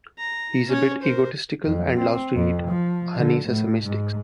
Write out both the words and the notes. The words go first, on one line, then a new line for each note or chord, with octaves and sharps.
He is a bit egotistical and loves to eat honey-sesame sticks.
A#5
C#4 C#5
A#4 C5
F2
C4
F2
F3
D3
A2
G#2